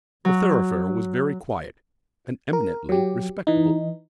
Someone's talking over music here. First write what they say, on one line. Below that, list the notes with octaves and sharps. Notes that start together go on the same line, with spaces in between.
The thoroughfare was very quiet and eminently respectable.
F#3
A#4
F#3 G4
E3 D#4